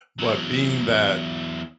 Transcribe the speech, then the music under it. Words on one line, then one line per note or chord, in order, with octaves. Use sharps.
but being that
E2 F#3